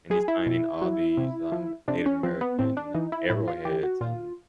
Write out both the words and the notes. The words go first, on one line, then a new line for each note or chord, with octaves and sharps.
and he's finding all these, um, Native American arrowheads and
F#3 G#4
E4
B2
F#3
C3
F3
C3 D4
C#4
F3 C4
B3
A2 C4
D4
E3 D#4
E4
A2 E4
F4
E3 G4
F#4
A#2 F4